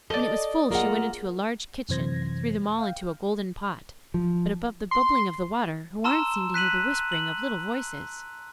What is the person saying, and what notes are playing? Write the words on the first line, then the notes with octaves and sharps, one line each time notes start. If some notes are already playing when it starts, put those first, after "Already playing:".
When it was full she went into a large kitchen and threw them all into a golden pot; but above the bubbling of the water Houarn seemed to hear the whispering of little voices.
A4 D5 D#5
A#3 F4 G#4 F#5
F#2 C3 E3 C5 G#6 A#6
F5 G5
F3
C6
A5 A#5 C6 E6 F6 E7
F#6 B6 D#7 F#7
F#7